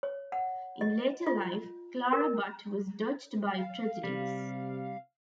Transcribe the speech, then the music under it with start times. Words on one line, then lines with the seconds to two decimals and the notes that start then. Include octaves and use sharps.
In later life, Clara Butt was dogged by tragedies.
0.03 C#5
0.32 F#5
0.81 D#5
1.27 F4
2.13 A#4
3.58 F5
4.04 C3 G3